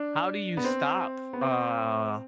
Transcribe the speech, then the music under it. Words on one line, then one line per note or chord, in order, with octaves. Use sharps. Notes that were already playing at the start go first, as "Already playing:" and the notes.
How do you stop, uh,
Already playing: D4
B3
C4
B3
C4